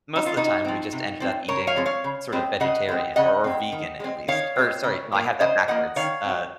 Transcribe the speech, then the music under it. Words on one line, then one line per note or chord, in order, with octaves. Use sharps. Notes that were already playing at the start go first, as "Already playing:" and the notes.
most of the time, we just ended up eating sort of vegetarian or or vegan at least or sorry, no, I had that backwards, uh,
D#4
F4
C3 D#4 F#4
F3 C4
C3
F3 C4
C#3 A#4 C#5
C#5 F5
F3 G#3 C4
C#5 F5
C#3
F3 G#3 C4
C#3 D#5 F#5
G#3 C4
C#3 D#5 F#5
G#3 C4
D#3
G#3 C4
D#3 C#5 F5
G#3 C4
C#3
F3 A#3
C#3 C5 D#5
F3 A#3 D#5 F#5
D#3 C#5 F5
F#3 C4